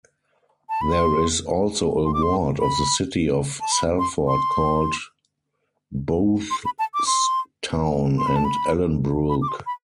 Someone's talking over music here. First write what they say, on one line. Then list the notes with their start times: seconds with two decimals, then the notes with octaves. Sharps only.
There is also a ward of the City of Salford called Boothstown and Ellenbrook.
0.69 A5
0.81 B5
0.92 C6
2.05 C6
2.14 D6
2.23 C6
2.60 B5
3.61 A5
3.72 B5
3.99 C6
4.28 C6
6.51 C6
6.65 B5
6.79 A5
6.94 D6
7.07 C6
8.18 C6
8.27 B5
8.36 A5
8.45 B5
9.29 B5
9.42 D6
9.48 C6
9.66 B5